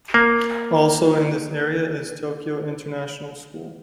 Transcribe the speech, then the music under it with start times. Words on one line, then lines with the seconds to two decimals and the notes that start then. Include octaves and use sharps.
Also in this area is Tokyo International School.
0.14 A#3